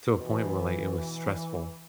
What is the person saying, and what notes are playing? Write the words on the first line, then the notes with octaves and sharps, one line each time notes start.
to a point where, like, it was stressful,
B2 E3